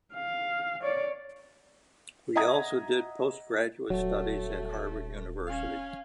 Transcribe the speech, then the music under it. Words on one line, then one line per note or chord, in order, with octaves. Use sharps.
He also did postgraduate studies at Harvard University.
F5
C#5 D5
D#5 E5 F#5 A#5 D#6 G#6
D#1 F#3 A3
C#4 F5